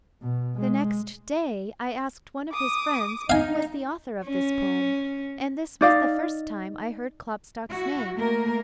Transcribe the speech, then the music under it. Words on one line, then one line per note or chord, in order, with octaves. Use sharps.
The next day I asked one of his friends who was the author of this poem, and this was the first time I heard Klopstock's name.
B2
G#3
D6 D#6
D#4 F5 G#5
C#4
D#4 D5 F5
E4 F#4
A3 A#3 A#4